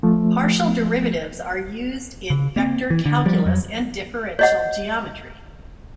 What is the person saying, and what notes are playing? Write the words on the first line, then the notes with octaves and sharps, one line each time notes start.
Partial derivatives are used in vector calculus and differential geometry.
F3 A3
C#3
A#3 C4
E3
D3
F3 G3
F2 F#3
C#5 D#5 F#5